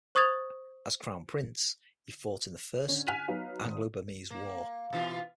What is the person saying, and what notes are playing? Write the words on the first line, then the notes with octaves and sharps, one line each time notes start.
As crown prince, he fought in the First Anglo-Burmese War.
C5 C#6 D#6 G#6 A6 F7
D3 C#4
G#5 F6 F#6 B6 D#7 F7
F#3 B3 D#4 F5
G#1 D#6
A#3
B2 E3 F4